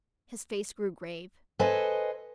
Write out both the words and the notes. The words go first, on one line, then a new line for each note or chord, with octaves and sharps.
His face grew grave.
A4 B4 C5 D#5 G#5